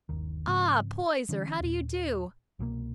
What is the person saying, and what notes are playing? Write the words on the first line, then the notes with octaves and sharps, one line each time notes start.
Ah, Poyser, how do you do?
G1 D#2 D#3
G#2 C#3 F3 C4
D3 E3 B3 C#4
D#2 A#2
C2 B2 D3 A#3